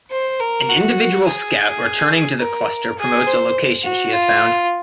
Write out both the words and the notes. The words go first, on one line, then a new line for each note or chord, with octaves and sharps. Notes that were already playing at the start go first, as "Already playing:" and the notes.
An individual scout returning to the cluster promotes a location she has found.
C5
A#4
F#4
G#4
A#4
G#4
C5
F#4
F4